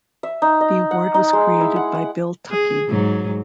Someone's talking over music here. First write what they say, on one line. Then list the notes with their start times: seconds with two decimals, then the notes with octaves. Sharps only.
The award was created by Bill Tuckey.
0.23 E5
0.42 D#4
0.61 D#5
0.91 F#5
1.14 D#4
1.33 G#3
1.61 E4
1.76 F#5
1.94 F#5
2.51 G#4
2.89 G#2 F#3